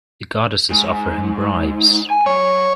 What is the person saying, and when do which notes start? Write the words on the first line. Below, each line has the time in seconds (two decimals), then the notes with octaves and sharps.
The goddesses offer him bribes.
0.70 G#2
2.10 G#5
2.26 F#3 C#5